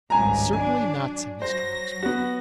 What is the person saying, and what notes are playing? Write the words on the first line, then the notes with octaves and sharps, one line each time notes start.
Certainly not, said Mr Rokesmith.
G#1 C#2 G2 G#5 A#5
F#3 D4 G#5
F#3 C5 A#6
B3 F#4